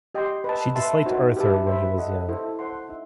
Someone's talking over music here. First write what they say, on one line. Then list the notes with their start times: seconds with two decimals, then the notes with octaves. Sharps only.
She disliked Arthur when he was young.
0.15 G4 D#5 G5 C6
0.44 B4 D#5 A5
0.75 B4 E5 A5 C6
1.05 D#4 F#4 C5
1.37 G4 B4 E5 A5
1.67 C5 E5 B5
1.97 A4 C5 D#5 F#5
2.29 E4 A4 C5
2.59 C5 F#5 A5 C6
2.89 D#4 E5